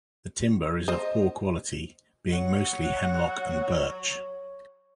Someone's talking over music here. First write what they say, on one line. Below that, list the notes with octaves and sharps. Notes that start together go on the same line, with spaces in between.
The Timber is of poor quality, being mostly Hemlock and Birch.
C5 D#5
F#3 C#5 F#5